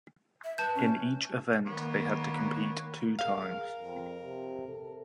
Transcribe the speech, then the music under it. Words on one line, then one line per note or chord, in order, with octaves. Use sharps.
In each event they had to compete two times.
E5
B4 A5 G6
C#4
D#3 A#3 B3 C#5
G#4 A#4 F5
F2
C3
A4